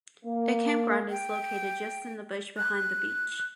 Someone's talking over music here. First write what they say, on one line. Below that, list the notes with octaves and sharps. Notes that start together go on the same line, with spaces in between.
A campground is located just in the bush behind the beach.
A#3
G5
F#6